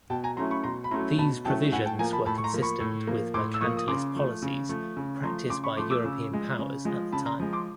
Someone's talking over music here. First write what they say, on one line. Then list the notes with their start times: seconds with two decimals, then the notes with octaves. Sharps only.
These provisions were consistent with mercantilist policies practice by European powers at the time.
0.10 B2 G5 A5
0.24 G#5 A#5
0.37 F#3 A3 C#4 E4 A#5 C6
0.51 B5 C#6
0.64 B2 A#5 C6
0.84 B5
0.91 F#3 A3 C#4 E4 A#5 C6
1.18 B2 A5 B5
1.45 F#3 A3 C#4 E4 G5 A5
1.72 A2 F#5 G#5
1.86 G5 A5
1.99 F3 A#3 G#5 A#5
2.13 A5 B5
2.26 A2 A5 B5
2.38 C#6
2.44 A#5 C6
2.53 F3 A#3
2.62 B5 C#6
2.80 A2
3.07 F3 A#3
3.34 A2 C6 D6
3.54 E6
3.61 F3 A#3 C#6 D#6
3.77 D#6
3.88 C#3 C6 D6
4.15 F3 A3
4.43 C#3
4.69 F3 A3
4.97 C#3
5.23 F3 A3 A#5 C6
5.50 C#3 C6 D6
5.64 B5 C#6
5.77 F3 A3 C6 D6
5.90 D6 E6
6.05 C#3
6.31 F3 G#3
6.59 C#3
6.85 F3 G#3
7.12 C#3 A5 B5
7.26 A#5 C6
7.39 F3 G#3
7.53 C6 D6